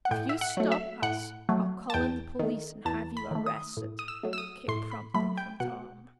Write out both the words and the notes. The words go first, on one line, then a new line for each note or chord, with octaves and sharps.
"If you stop us, I'll call in the police and have you arrested," came promptly from Tom.
F#5
A2 G5
E5
F#5
F#3 A3
E5
A2 F#5
F#3 A3
A5
E2 G5
D#3 A3
E2 A5
B5
D#3 A3
D#6
A2
D#6
E6
F#3 A3
E6
D#6
A2 C6
B5
F#3 A3 B5
G5
B2 F#5